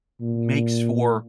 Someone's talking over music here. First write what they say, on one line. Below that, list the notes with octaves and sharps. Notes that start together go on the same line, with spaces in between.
makes for
A#2